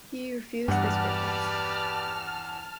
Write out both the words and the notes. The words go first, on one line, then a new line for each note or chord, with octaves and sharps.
He refused this request.
E2 G2 G4 B4 D5 F#5 A5 F6